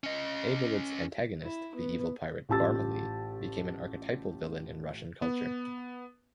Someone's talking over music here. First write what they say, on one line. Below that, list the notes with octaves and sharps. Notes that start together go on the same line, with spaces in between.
Aybolit's antagonist, the evil pirate Barmaley, became an archetypal villain in Russian culture.
C#4 D#5
E4
B3
A1 F4 G4 A5 E6 A6
B3